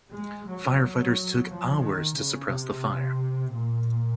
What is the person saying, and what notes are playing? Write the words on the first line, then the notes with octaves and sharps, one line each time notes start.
Firefighters took hours to suppress the fire.
G#3
F#3
F3
D#3
C#3
C3
A#2